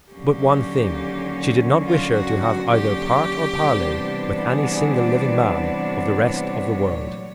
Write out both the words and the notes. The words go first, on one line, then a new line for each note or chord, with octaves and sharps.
But one thing, she did not wish her to have either part or parley with any single living man of the rest of the world.
D#2 D3 F#3 A#3 C#4 G4
F4
F#4
F#4
G4
C3 E3 G3 B3 D4
G#4
G#4
D5
C#5
C#5
A#2 F#3 A3